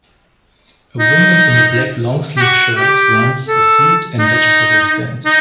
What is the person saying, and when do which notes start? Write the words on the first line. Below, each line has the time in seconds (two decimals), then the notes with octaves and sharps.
A woman in a black longsleeve shirt runs a fruit and vegetable stand.
0.99 D#4
2.37 G4
2.41 F#4
2.76 G4
3.48 A4
4.19 D#4
5.25 D#4